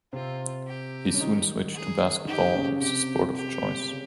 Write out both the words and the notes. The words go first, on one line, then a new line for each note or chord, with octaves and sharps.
He soon switched to basketball as his sport of choice.
C3 C4 F4
G4
C#4
D#3 D#4
G#4
D#3 D#4 G4
D#4
C#3 C#4
C3 C4 G4
G4
C#3 C#4